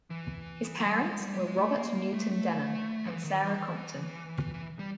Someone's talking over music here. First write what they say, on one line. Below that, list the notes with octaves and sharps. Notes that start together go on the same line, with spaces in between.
His parents were Robert Newton Denham and Sarah Compton.
E3
F#3
G3
G#3
G3
G#3
A3
A#3
A#3
A3
A3
E3
D#3
E3
E3
G3